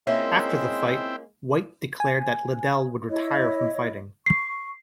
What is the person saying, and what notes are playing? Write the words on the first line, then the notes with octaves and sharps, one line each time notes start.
After the fight, White declared that Liddell would retire from fighting.
G#3 A#3 C4 C#4 E4 F4 E5 G5
G#5
E4 C#5 D#5
C#6 C7